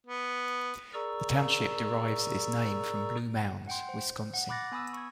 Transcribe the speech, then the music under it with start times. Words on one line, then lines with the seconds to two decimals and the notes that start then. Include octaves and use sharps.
The township derives its name from Blue Mounds, Wisconsin.
0.06 B3
0.94 G#4 A#4 D5 A#5 C#6 E6
3.67 F#5 G5 C6
3.89 C5
4.34 F#5
4.49 B5 D6 F#6 A6 A#6
4.72 B3 G#5 B5 D#6 E6
4.93 C#6 G#6